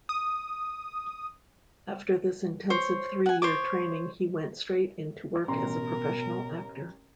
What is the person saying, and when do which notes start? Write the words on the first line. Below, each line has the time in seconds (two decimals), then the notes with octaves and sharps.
After this intensive three-year training he went straight into work as a professional actor.
0.09 D#6
2.70 C5 C#5
3.26 F#5 G#5
3.42 C5 C#5 D6
5.48 A1 B2 A#4 A#5 C6